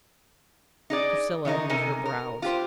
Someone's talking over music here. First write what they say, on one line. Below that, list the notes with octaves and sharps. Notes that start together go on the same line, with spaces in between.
Priscilla knit her brows.
D#4 G#4 D5
D#3 E3 D#4 A#4
C3 D#4 A4 A#4 G#5
A#4
F4 G4 C5